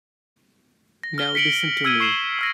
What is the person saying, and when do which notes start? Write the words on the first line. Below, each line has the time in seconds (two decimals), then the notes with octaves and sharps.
Now listen to me.
1.03 A#6
1.18 F6 G7
1.35 B6 C#7 D7 F#7 G7
1.84 E6 F6 G#6 D7 D#7 G7
2.00 C#6 C7 E7 F#7 G7
2.39 E6 F6 A#6